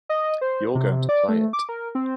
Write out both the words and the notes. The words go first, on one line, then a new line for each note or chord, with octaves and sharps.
You're going to play it.
D#5
C5
C3
D5
A3
D6
A#4
C4